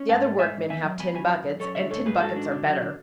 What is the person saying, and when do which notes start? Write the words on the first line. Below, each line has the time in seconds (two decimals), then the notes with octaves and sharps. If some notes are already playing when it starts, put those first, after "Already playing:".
The other workmen have tin buckets, and tin buckets are better.
Already playing: C#4
0.09 G#2 F#5 A5
0.24 A3
0.39 G#2 E5 G#5
0.54 G#2
0.69 E2 E5 G#5
0.85 F#3
0.99 E2 G#5 B5
1.14 F#3 G#5 B5
1.30 F#2
1.45 F#2
1.60 F#2 A4 C#5
1.75 D3 C#5 E5
1.91 G#2 A4 C#5
2.06 G#2 G#4 B4
2.21 G#2 F#4 A4
2.36 D4
2.52 D3
2.66 F#3
2.81 D3